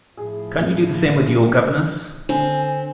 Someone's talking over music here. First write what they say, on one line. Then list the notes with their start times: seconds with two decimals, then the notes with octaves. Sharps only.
Can't you do the same with your governess?
0.17 A2 F3 G#4
2.29 D3 C4 G#5